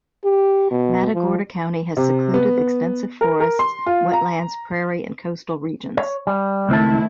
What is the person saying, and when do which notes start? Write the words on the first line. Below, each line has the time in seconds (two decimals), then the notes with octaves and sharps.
Matagorda County has secluded, extensive forests, wetlands, prairie and coastal regions.
0.24 G4
0.71 B2
1.14 F3
1.97 C3
2.34 B3
2.58 B3
3.21 A#4
3.40 A#4
3.59 C6
3.86 F4
4.13 A#5
5.97 C#5
6.27 G3
6.69 C#2 D#3 A3 C4 E4 A5